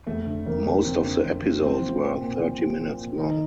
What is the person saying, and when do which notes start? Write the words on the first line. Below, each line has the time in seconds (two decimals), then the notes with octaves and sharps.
Most of the episodes were thirty minutes long.
0.06 F2 A3
0.26 D3
0.46 F2 A#3
0.66 F3
0.84 F2 C4
1.04 D3
1.23 F2
1.43 F3
1.62 F3 C4
1.82 F3
2.01 A#2 C4
2.21 A#2
2.39 F3
2.59 F3
2.79 A#2
2.98 A#2
3.17 D#3 D#4